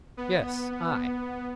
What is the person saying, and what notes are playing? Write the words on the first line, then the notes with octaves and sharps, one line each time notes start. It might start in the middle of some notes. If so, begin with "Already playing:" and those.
"Yes, I!"
B3